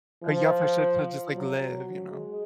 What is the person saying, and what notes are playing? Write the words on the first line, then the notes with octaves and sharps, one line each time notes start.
Uh, yeah, for sure to just like live, you know.
F3
F#3
G#3